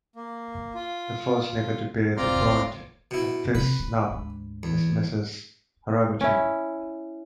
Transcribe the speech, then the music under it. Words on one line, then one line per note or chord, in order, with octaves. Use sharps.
The first neighbor to bear the brunt of this snub is Mrs Haraguchi.
A#3
F4
C4 F4 D5 A#5 C6 F6
B2 E4
C3 B4
D3
D2 G#2
E2
C#4 E4